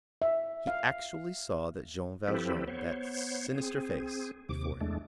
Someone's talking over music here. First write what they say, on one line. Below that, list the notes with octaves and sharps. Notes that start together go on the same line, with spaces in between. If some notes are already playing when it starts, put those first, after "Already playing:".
He actually saw that Jean Valjean, that sinister face, before him.
E5
F5
F3 C4 E4 G4 A4 B4
B3 C5 C#5
C4 G#4
D#2 C3 D6
E2 G#3 A3 D4